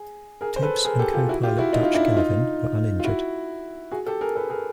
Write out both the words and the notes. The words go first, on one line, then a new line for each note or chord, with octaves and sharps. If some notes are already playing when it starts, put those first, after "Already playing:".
Tibbs and co-pilot Dutch Gelvin were uninjured.
Already playing: G#4
G#4 A#4
C5
A4 B4
G#4 A#4
G4 A4
F4 G4
E4 F#4
F4 G4
E4 F#4
D#4 F4
F4
D4 E4
D#4 F4
F4
E4 F#4
F#4 G#4
G4 A4
G#4 A#4
A4 B4
G#4 A#4